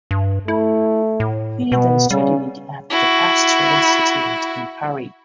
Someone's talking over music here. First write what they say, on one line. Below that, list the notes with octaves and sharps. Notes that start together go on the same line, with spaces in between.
He then studied at the Pasteur Institute in Paris.
G2
A3 E4
A2
B2 B3
C#3 G3
E4 F#4